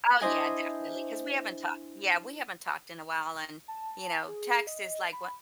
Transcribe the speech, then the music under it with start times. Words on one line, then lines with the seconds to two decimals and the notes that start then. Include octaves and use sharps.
oh yeah, definitely, 'cause we haven't talked yeah we haven't talked in a while and, you know, text is, like, wha
0.21 D4 E4 C5 D#5 G#5
3.68 A5
4.28 G#4
4.67 D#5
5.12 B5